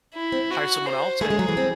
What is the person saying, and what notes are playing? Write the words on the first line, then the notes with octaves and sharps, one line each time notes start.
hire someone else, and
E4
C4
F#4
C5
A3 G#4
G#3
F#3
E3
C4